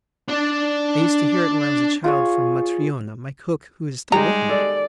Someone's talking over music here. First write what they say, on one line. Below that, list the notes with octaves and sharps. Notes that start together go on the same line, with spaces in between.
I used to hear it when I was a child from Matryona, my cook, who is still with me.
D4 D5
F4 G#4 C#5
G3 G#3 D#4 A#5
A4 D5